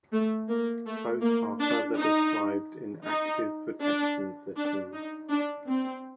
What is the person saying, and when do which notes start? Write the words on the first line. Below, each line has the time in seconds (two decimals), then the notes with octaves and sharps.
Both are further described in active protection systems.
0.12 A3
0.49 A#3
0.86 A3
1.23 A#3
1.60 D4
1.97 D#4
3.07 D#4
3.82 D4
4.57 D4
4.93 D#4
5.30 D4
5.67 C4